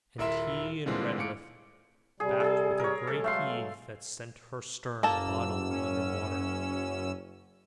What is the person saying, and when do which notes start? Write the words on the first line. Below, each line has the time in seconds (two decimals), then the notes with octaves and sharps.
And he and Redruth backed with a great heave that sent her stern bodily under water.
0.18 D#1 E4 A#4 E5 C6 E7
0.86 A#2 D3 E3 G3 G#3 C4
1.18 A2 F4 D6 C#7 D7
2.20 C3 G3 G#4
2.40 G#4 A4
2.79 A#4 C#5
3.07 B2 F#3 G#3 A4
3.24 A3 F5 C6
5.03 F#1 F#2 A#3 A4 A5 E6
5.71 C#4